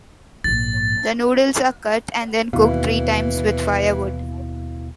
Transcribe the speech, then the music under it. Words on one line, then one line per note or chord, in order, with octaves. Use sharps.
The noodles are cut and then cooked three times with firewood.
A#1 G#2 A6
D#2 B2 E3 E4 F5